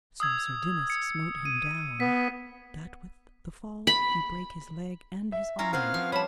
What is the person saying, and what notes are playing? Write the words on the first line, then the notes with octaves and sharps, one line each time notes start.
So sir Dinas smote him down, that with the fall he brake his leg and his arm.
D#6 E6 G#6
C#7
D#7
B3 B6
B5
E5
C#4 E4 F4 A#5
B3 C4 G#4 A#4 F5
F3 F6
G3 C#5 A5 B5